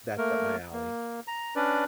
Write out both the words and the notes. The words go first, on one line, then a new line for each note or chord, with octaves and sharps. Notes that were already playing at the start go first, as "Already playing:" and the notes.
that's up my alley.
A3 A#3 A#4
A#3
A#5
C#4 D4 B4 D5